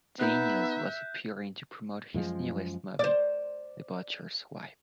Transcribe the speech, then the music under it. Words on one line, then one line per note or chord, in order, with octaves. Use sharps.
Daniels was appearing to promote his newest movie, "The Butcher's Wife".
B3 D#4 E5 F#6 G6
F#2 F3 G#3
C5 D5